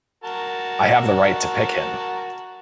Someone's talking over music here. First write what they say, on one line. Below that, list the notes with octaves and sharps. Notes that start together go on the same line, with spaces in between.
I have the right to pick him.
F#4 A#4 A5